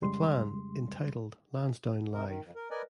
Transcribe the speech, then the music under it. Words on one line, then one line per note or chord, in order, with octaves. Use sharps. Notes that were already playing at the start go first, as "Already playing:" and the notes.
The plan, entitled Lansdowne Live!
F2 C#3 G3 G#3 C6
C3 A#4
D#3
F2
A#4
A#4 B4 D5 D#5 G#5